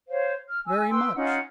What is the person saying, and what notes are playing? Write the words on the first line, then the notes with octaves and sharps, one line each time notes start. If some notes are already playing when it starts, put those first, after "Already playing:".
"Very much."
C5 C#5 F5
F6
G#5 E6
B4 G5 C6 E6
C#4 D#4 F4 F#5